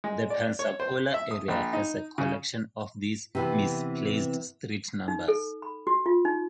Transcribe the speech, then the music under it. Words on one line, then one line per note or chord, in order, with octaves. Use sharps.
The Pensacola area has a collection of these "misplaced" street numbers.
G#3
D5
C#5
C5
E5
D#6
A#1
D#4
C#3
C3 E3 B3
D#4
A4
B5
F#4
F4
D#4